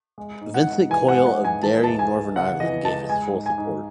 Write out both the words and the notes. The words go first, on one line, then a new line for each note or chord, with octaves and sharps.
Vincent Coyle of Derry, Northern Ireland gave his full support.
G#3
G#2
F#5
G#2
E3 G#5
F#5
G#3
F#5
G#2
G#5
E3 A5
C#2 A5
G#5
C#2
C#3 F#5
E3 D#5
C#2 A5
G#3 G#5
G#2
G#5
G#2